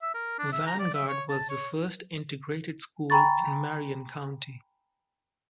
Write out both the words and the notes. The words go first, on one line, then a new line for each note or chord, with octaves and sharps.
Vanguard was the first integrated school in Marion County.
E5
A#4
D4
E5
A#5
D5
E5
C#5
A5
C#5
G5 G#5 A#5 B5 C#6 A6